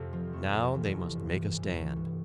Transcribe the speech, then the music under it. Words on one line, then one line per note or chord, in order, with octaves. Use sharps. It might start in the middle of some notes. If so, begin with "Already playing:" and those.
Now they must make a stand.
Already playing: F2 C3 A3
F3
A3
F2
E3
A3
G2
G2
E3
A3
G2